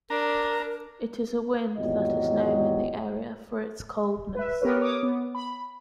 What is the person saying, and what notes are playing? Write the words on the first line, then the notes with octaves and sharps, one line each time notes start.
It is a wind that is known in the area for its coldness.
D4 A#4 A#5
G#1 E2 A#2 F#3 G4 D#5
B4 E5
B3 G4 A#4 B4 C#5
C#5 D6 D#6
B3
B5